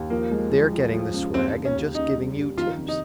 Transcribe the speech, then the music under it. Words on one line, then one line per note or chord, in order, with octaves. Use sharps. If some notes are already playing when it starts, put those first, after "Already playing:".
They're getting the swag, and just giving you tips.
Already playing: D#2
F3 A#3
G#3
F3
F3
F3
C#2
D#2 C4
D#2
C#4
D#2
C#3 D#4
G3
D#2
D#3 F4
F1
D#4